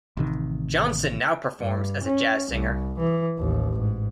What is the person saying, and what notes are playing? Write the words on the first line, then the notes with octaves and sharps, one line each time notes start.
Johnson now performs as a jazz singer.
A1 C3 D#3
G2
C#4
C2
E3
A1 D#2
G#2